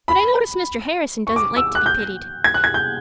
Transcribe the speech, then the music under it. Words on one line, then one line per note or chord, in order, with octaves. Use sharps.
But I notice Mr. Harrison doesn't like to be pitied.
B5
C#6
D6
E6
F#6
G6
G#6
F#6
G#6
G6